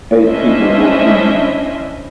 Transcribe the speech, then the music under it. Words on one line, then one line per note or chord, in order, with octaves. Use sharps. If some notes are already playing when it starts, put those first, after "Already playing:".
Eight people were injured.
C#4 D4 E4 C5 D#5 E5